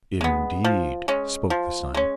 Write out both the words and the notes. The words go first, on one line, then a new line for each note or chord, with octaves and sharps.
'Indeed!' spoke the Sun.
G#3 B3
F3
G#3 C#4
F3
G#3 C#4